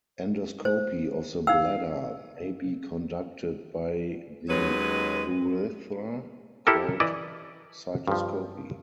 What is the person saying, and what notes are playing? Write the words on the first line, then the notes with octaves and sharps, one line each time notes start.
Endoscopy of the bladder may be conducted by the urethra, called cystoscopy.
C5
D#4 F5 E6
D#2 F#3 G#3 C#4 B4
E4 G4 A4 A#4
E3 E4 D5 D#5
G2 F3